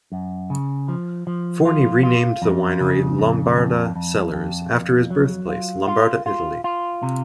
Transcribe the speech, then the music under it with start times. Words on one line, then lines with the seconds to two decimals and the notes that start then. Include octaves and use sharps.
Forni renamed the winery Lombarda Cellars after his birthplace; Lombarda Italy.
0.12 F#2
0.50 C#3
0.88 F3
1.27 F3
1.65 F4
2.03 F4
2.42 F2
2.80 C#3
3.18 F2
3.57 F2
3.96 F2
4.34 F2
4.72 F2
5.10 F#3
5.49 F4
5.87 F4
6.26 F4
6.64 F4
7.03 C3